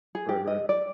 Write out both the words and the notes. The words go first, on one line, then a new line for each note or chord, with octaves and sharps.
Right, right.
G#4
G4
D#5
D5